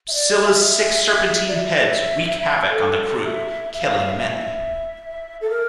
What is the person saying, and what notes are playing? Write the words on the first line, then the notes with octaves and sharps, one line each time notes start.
Scylla's six serpentine heads wreak havoc on the crew, killing many.
E5
D5
E5
D5
E5
A4
E5
E5
F5
E5
A4
A#4